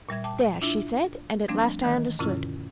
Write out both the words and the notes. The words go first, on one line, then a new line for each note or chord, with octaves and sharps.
"There!" she said--and at last I understood.
A#2 G3 E5 G#6
G5 A5 D6
D4 E4 F4 E5 E6
F3 G3 A3 C4 D4
D#3 E3 A3
F#2 A#2 D3 C#4 E4 F4